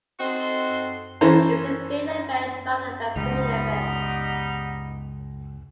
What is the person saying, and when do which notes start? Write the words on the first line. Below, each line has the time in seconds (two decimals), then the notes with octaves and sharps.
It is a field event rather than a swimming event.
0.19 C4 D#4 F#4 A4 C6
1.21 E3 C#4 A4 C5 A#5
3.16 C#2 G3 B3 D#4